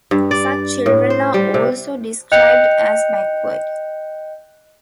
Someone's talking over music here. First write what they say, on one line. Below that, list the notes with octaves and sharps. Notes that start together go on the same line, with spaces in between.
Such children are also described as backward.
G2
D5
A2
C5
G3
C3
D#5 G5 F#6 G6 C#7 F7